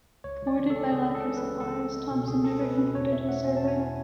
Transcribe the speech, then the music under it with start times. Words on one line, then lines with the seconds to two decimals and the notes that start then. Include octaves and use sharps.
Thwarted by lack of supplies, Thompson never completed his survey.
0.24 C#2 C#5
0.42 C#2
0.47 D5
0.59 E3
0.70 A4
0.75 C#3
0.92 C#2 G#4
1.09 C#2
1.15 A4
1.27 E3
1.37 B4
1.43 C#3
1.60 C#2 A4
1.77 C#4
1.94 G#3
2.11 B2
2.28 C#2 G#4
2.44 C#4 A4
2.61 G#3 B4
2.78 B2 B4
2.95 E2 C#5
3.11 E4 E5
3.29 A3 F#5
3.45 B2 G#5
3.57 A5
3.63 E2 G#5
3.79 E4